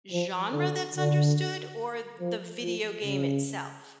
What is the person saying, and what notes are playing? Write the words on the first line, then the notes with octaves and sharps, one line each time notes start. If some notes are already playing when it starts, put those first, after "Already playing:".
genre that's understood or the video game itself?
F3
D3
D3
F3
F3
C#3